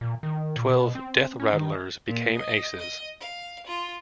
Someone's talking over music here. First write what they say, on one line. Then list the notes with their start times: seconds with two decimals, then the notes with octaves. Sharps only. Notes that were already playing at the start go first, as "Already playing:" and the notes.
Twelve "Death Rattlers" became aces.
0.01 A#2
0.23 D#3
0.56 A#2
0.70 B2
0.95 C4
1.40 C#4
1.53 D#3
2.08 A#2
2.36 D#5
2.79 D#5
3.21 F5
3.66 F4